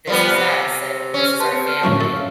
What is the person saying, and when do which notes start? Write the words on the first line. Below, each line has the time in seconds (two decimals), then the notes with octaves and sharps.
this is us, and this is our family.
0.07 F3 G3 B3
0.32 C3
1.14 C#4
1.40 G4 B4 A5 C6
1.52 C4 C#7
1.68 F6
1.84 F#2 A2 D3 A#4 C#6
2.01 F#4 A4 E5
2.12 C#4 F5